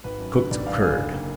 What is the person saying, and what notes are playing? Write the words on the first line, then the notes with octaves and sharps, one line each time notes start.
Cooked curd.
G#1 B4
F#2
D3 B4
G#1 D5
F#2 D5 F5
D3 F5 G#5
F#1
A#3